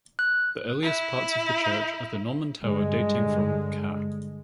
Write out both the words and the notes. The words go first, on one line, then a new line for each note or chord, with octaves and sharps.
The earliest parts of the church are the Norman tower dating from ca.
F#6
E4
G2 D3 G#3